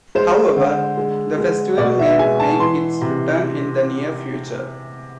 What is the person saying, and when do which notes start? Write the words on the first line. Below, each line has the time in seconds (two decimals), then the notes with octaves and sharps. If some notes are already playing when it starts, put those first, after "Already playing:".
However, the festival may make its return in the near future.
0.15 G#3 C5
0.56 D3
0.97 G#3
1.38 G#3
1.78 B2 D5
1.99 E5
2.19 G#3 G#5
2.40 A5
2.59 E3 C6
3.01 C3